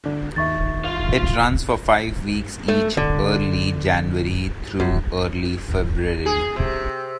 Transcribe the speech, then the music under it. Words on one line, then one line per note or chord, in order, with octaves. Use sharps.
It runs for five weeks each early January through early February.
D3 D4
D#2 D#3 D#4 E5 C#6 A6
F4 F5
A3
D3
F#2
G#4
C3